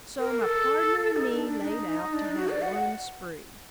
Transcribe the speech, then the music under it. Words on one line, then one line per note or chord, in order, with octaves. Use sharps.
So my pardner and me layed out to have one spree.
A#4
A4
D#4
D4
D4
D4
D#4
D#4
D4
D#4
F#4
D5
F#5